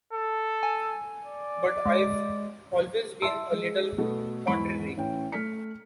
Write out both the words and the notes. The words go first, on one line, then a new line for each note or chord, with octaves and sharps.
But I've always been a little contrary.
A4
G#5
D5
G#3
E5 A5 C6 E6
G#3
B2 A3 B3 A4
E2 G#2 B5 C#6 D7
A1 C#4 G5
A3 F6 B6 C#7